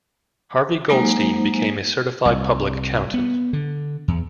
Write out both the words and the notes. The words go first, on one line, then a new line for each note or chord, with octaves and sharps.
Harvey Goldstein became a certified public accountant.
F#3 G#3 A#3 D#4 C5 G#5
C2
B3
D3
E2